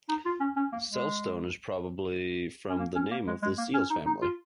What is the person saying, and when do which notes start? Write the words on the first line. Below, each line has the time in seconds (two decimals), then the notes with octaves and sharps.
Zelstone is probably from the name of the Zeals family.
0.09 D#4
0.25 F4
0.40 C#4
0.57 C#4
0.73 A#3
0.89 G#3
2.70 C#4
2.79 A#3
2.96 C#4
3.11 A#3
3.27 G#3
3.43 G#3
3.58 A#3
3.74 C#4
3.90 D#4
4.06 D#4
4.22 F4